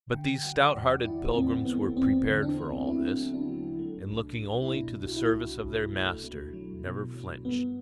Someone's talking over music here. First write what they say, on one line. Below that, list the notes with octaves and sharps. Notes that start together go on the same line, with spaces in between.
But these stout-hearted pilgrims were prepared for all this, and looking only to the service of their Master, never flinched.
D3 G5
G5
F#3 F#5
E2 D5
E2 E4
E2 C4
A3 B3
E2 C4
D3
D4
A3
F#3 E4
F#3
D4
F#3
A3
C2
F#3
E4
B2 D4
C2
F#4
E4
C2
C2
A3
A3
F#3
B2
F#3
G2 B3